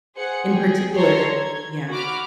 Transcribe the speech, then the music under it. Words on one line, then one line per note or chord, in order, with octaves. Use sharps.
In particular Yeah.
G#4 C5 F#5 C#7
G#4 G5
A4 C#5 A#5 C6 G#6
G#6
F#4 B5 D6 F6